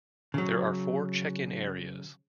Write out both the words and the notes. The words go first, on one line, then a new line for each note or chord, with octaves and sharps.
There are four check-in areas.
C#3 F#3